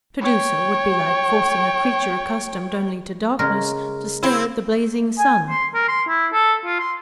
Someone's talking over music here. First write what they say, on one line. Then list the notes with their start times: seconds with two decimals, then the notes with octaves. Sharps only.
To do so would be like forcing a creature accustomed only to darkness, to stare at the blazing sun.
0.22 C#5 G5
3.39 C#3 G#3 A#4
4.23 C4 E4
5.19 G#5
5.50 C6
5.75 A#4
5.88 C6
6.09 E4
6.33 A4
6.65 F4
6.80 C6